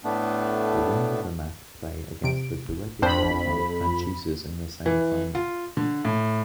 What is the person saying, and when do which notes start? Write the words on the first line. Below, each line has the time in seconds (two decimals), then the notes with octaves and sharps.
The winners of this match play against the directly qualified franchises in the semifinal.
0.04 A2 A3 B3 D4
2.24 C3 D7
3.02 F2 C4 D4 C5 B5
4.86 E3
5.35 F4
5.77 D3
6.05 A2